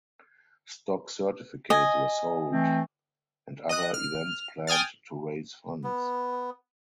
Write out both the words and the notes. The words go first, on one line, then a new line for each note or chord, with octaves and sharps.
Stock certificates were sold and other events planned to raise funds.
D#5 G#5
E3 A3 C4
D#5 D#6 F#6
F6
G5 G#5 D#6 F6 A6
B3